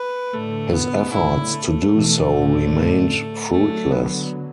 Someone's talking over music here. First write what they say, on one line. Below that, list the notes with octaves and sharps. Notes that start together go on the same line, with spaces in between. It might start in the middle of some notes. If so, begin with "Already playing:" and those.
His efforts to do so remained fruitless.
Already playing: B4
A2 D3 A3
B3
A2 D3 E4
A3
B2 E3
A2 D3
D3 F#3 A3
B3